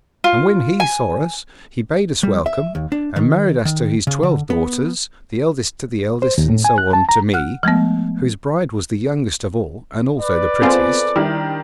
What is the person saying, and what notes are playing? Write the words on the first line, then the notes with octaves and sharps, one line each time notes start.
'And when he saw us, he bade us welcome, and married us to his twelve daughters, the eldest to the eldest, and so on to me, whose bride was the youngest of all and also the prettiest.
F4
G#5
G3
E5
D#2
D4
D#3
D#3
C#3
D3
B3
C5
D#2
A2
G#5
F#6
A5
A#5
F#5 F6 F#6
F3 G#3 A3 B3
B4 D5
B3 C4 F4 G#4 A4 C5
D#3 G3 D4 E4